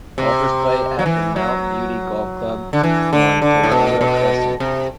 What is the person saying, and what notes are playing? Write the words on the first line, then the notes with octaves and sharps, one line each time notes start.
Golfers play at the Mount Beauty Golf Club on Tawonga Crescent.
C3
F#3
E3
F#3
D3
E3
D3
D3
A2
B2
B2
C3